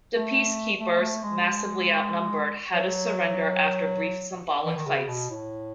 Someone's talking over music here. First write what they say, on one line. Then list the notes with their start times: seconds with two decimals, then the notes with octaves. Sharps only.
The peace-keepers, massively out-numbered, had to surrender after brief symbolic fights.
0.15 A3
0.79 A3
1.01 A3
1.23 G#3
2.72 F#3
4.65 E3
4.77 D#3
4.87 C#3
5.09 B2
5.30 A2